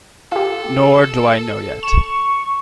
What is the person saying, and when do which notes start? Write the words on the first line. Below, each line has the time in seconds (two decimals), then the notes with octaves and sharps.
Nor do I know yet.
0.32 F4 G4 A4
1.83 C#6 E7